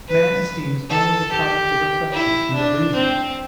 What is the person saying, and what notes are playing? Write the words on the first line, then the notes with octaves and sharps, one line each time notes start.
Man esteems only the products of reflection and of reason.
B4
A4
G4
E4
D4
C4